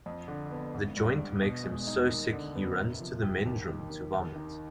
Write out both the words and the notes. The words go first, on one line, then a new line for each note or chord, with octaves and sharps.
The joint makes him so sick he runs to the men's room to vomit.
F2
D3
B3
G#1
G2
G3
B2
G#3
D#4
D#2
D3
B3
C3
F3
G4
D#2
D#3
D#2
D#2
D#3